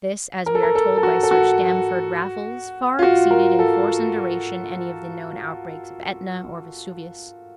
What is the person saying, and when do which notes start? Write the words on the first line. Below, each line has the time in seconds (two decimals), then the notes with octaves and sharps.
This, as we are told by Sir Stamford Raffles, far exceeded in force and duration any of the known outbreaks of Etna or Vesuvius.
0.46 A#4
0.55 A4
0.63 A#4
0.75 A4
0.97 A4
1.03 F#4
1.23 A4
1.31 F#4
2.99 F4
3.03 F#4
3.31 A#4
3.59 A4